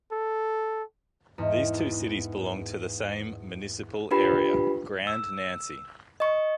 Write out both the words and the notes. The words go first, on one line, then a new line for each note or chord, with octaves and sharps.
These two cities belong to the same municipal area: Grand Nancy.
A4
E2 G#2
D4 F4 G4 B4 B5
E6
D#5 C#6